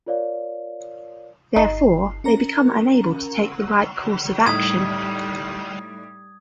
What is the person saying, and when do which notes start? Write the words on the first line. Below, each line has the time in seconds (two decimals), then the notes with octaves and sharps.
Therefore, they become unable to take the right course of action.
0.06 F4 A#4 C#5 D5 F5
1.56 G1 D#4 C7
2.24 C#4 A#4 A#5
4.46 A2 G3 D#4 D#6 G#6 B6